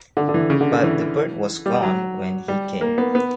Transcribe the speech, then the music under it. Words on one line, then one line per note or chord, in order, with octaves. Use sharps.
But the bird was gone when he came.
D3
D3
E3
C#3
D3
D3
E3
G3
F#3
G3
A#3
B3
B3